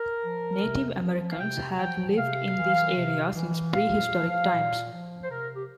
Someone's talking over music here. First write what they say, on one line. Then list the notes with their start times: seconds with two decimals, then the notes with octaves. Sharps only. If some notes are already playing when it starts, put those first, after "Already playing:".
Native Americans had lived in this area since prehistoric times.
Already playing: A#4
0.23 F3
0.62 C3
1.01 F3
1.30 F5
1.39 C3 G5
1.79 F3 G5
2.17 C3 F5
2.57 E3
2.96 C3
3.35 E3
3.74 A#2 F5
4.13 F3
4.53 A#2
4.91 F3
5.24 C5
5.30 C3 A#4
5.56 G4